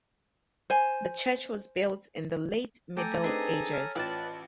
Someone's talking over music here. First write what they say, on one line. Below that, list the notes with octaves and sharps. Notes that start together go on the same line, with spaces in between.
The church was built in the late Middle Ages.
C5 G#5
A3 A4 G5 G#5 A#5 D6
C4 D4 D#4 G#4 B4
C#5 F6
A1 F4 B4 D5 G5 A5 F#6